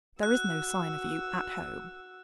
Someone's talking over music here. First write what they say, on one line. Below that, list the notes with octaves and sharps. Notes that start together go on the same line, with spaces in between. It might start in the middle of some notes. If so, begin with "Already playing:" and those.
There is no sign of you at home.
F#4 E6 F#6